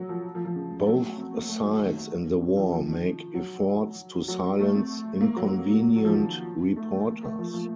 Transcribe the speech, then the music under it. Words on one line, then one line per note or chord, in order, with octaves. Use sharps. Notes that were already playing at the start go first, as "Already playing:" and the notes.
Both sides in the war make efforts to silence inconvenient reporters.
Already playing: F#3
F3
F3
F3
C#3
F#3
A3
C4
A#3
A3
F#3
D#3
C#3
F3
F3
D#3
F#3
F#3
A3
C4
A#3
F#3
F#3
F3
D#3
A3
A#3
A3
F3
F3